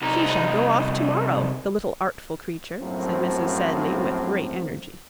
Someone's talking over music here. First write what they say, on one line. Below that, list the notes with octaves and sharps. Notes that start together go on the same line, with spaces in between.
"She shall go off to-morrow, the little artful creature," said Mrs. Sedley, with great energy.
C2 D#4
A#1 F#2 A2 F3 F#3 C4